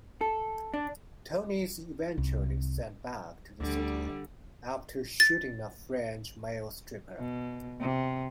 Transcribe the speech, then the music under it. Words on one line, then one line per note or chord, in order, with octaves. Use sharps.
Tony is eventually sent back to the city, after shooting a French male stripper.
A4
D4
C2
D2 D3 G3
A6
B2
C3